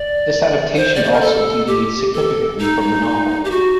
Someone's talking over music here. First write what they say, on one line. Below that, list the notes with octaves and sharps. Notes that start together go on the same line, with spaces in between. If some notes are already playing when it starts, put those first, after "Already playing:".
This adaptation also deviates significantly from the novel.
Already playing: D5
C5
D5
C5
A#4
A4
G4
A4
D#4
G4
F#4